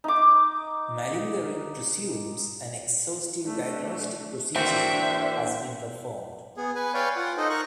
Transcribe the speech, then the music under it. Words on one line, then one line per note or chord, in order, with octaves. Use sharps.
Malingering presumes an exhaustive diagnostic procedure has been performed.
D#4 D6
A3 D4
E3 A#3 C4 D4 F#4 C5 E5
B3 G#4
B4 G#5
B4 C#5 D5 F5 G5 G#5
F4 F#5
D#4 A4 C5 D#5
D#4 A#4 C#6 F#6